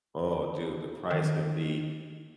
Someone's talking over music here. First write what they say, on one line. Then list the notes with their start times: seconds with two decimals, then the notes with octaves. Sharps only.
Oh, dude, the price can be
1.11 D#3